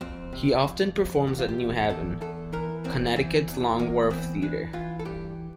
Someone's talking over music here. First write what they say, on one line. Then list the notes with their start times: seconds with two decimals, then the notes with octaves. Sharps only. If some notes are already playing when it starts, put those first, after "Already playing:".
He often performs at New Haven, Connecticut's Long Wharf Theatre.
0.01 F2 C4
0.33 C3
0.64 F2
0.95 F2
1.27 E2 G4
1.39 F4
1.49 G4
1.58 E2
1.89 E2 A4
2.21 E2 A4
2.53 E3 A#4
2.84 E2 C4
3.16 E3 C4
3.48 E2
3.79 E2 A#3
4.10 E3 C4
4.42 E3 D4
4.73 E3 F4
4.99 A4
5.05 G2 G4